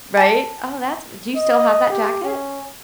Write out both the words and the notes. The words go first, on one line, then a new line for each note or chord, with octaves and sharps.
Right? Oh, that's do you still have that jacket?
G#5 A5
D#5
G4
C#4